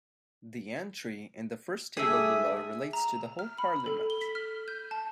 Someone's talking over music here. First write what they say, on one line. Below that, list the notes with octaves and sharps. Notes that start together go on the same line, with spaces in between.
The entry in the first table below relates to the whole Parliament.
G3 A3 D4 G#4 E5
A#5
F6
B5
A4
G7
B6
F6
G6
A5